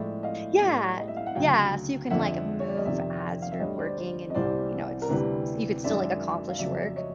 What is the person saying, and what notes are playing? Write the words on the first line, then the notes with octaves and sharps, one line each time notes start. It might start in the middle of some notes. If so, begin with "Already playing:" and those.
Yeah. Yeah, so you can, like, move as you're working, and, you know, it's s you could still, like, accomplish work,
Already playing: A2 F3 G#3 D5 E5
D#5 F5
A2 E3 G3
D#5
E5
F5
F#5
D2 C#3 F#3 F5 G5
F2 D3 F3 E5 F#5
C#5
D5
D#5
F2 C3 D#3 D5 E5
F5
E5
D2 D3 G3 C#5 D#5
C5 D5
C5 D5
D#5
C2 C3 E3 G3 C5 D5
A#4
D2 C3 E3 G3 B4
F#2 D#3 G#3 D5 E5
F5
F2 C#3 F#3 D5 E5
E5
C#5 D#5